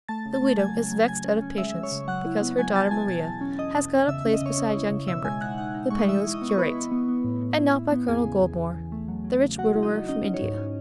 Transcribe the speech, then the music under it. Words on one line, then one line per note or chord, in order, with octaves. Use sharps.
The widow is vexed out of patience, because her daughter Maria has got a place beside young Cambric, the penniless curate, and not by Colonel Goldmore, the rich widower from India.
A3 A5 A6
C#3
A5 A6
A3
F#3 G#5 G#6
C#3
F#3
C#3 G#5 G#6
C#4
C#4
G#3 E5 E6
C#4
C#5 C#6
C#3
F#3 F#5 F#6
E4
B3
F#3 G#5 G#6
B3 A5 A6
E4 G#5 G#6
B2 A5 A6
E2
C#4
E2 D#5 D#6
B2
E2
C#3 E5 E6
E5 E6
C#4
D#5 D#6
C#3 C#5 C#6
C#4
E4
C#3
B2 E5 E6
G#3 G#5 G#6
D#4 F#5 F#6
D#4 F#5 F#6
D#4
G#3 C#6
D#6
E3 E5 E6
E4
D#5 D#6
B3
C#6
E4 B4 B5
E4
B3
B3
A2
A2
E4
E4
B3
E2 G#4 G#5
C#3
E2
E2
E3
A3
F#3
F#3
C#3
F#3 F#4 F#5
E4
D#4 D#5
F#3
C#4 D#4 D#5
C#4
C#5
G#2
C#4